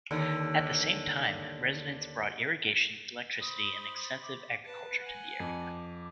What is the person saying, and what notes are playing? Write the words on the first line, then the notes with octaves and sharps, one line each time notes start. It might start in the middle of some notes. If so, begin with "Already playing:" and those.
At the same time residents brought irrigation, electricity, and extensive agriculture to the area.
D#2 D3
C5 B5 D#6
D6
B4 A5
F#5 G#5
F2 D6